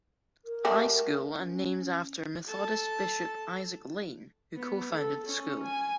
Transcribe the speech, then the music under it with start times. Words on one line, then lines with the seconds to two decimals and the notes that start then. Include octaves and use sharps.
High School and named after Methodist Bishop Isaac Lane who co-founded the school.
0.45 A#4
0.65 G3 A3 F#4
1.36 C#4
2.48 A4 A5
4.56 B3
4.93 A4
5.27 C#4
5.64 G#5